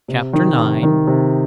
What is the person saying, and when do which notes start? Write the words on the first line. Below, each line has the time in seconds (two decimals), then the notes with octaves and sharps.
Chapter IX.
0.08 C3
0.33 D#3
0.58 C3
0.83 D#3
1.07 C3